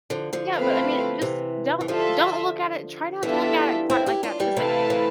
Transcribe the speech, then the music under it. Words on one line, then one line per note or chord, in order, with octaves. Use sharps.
Yeah, but I mean, just don't don't look at it try not to look at it quite like that because, like,
D3 F3
D3 F3
A3 C4 E4 B4 F5
C3 E3
E3
D3 F3 F4 A4 E5
E3 G3 B3 D4 F4 A4 E5
C4 E4
E4 G4
D4 F4
E3 G3
C3 E3 A3 E4 B4 F5 A5
C3 E3